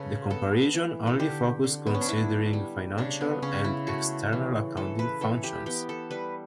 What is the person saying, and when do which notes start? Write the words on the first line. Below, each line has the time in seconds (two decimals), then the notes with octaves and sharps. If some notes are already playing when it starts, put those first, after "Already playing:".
The comparison only focus considering financial and external accounting functions.
Already playing: C#3 A4 B4
0.30 B3 A4
0.74 E3
1.07 A4
1.19 D3 G4
1.64 D3
1.87 B3
1.95 C#4
2.01 D4
2.09 B3 E4
2.53 G3
2.98 C#3 D4
3.21 B3
3.42 C#3 C#4
3.64 E4
3.87 A3 F#4
4.33 E3
4.77 E3 A4
4.99 B4
5.21 E3 A4
5.43 G4
5.66 B3 G4
5.89 A4
6.11 G3 B4